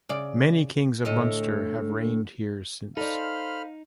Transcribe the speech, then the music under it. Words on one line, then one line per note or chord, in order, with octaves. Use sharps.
Many kings of Munster have reigned here since.
C#3 D5
D2 A2 D#5
D#4 A4 C5 D5 F5 B5 F6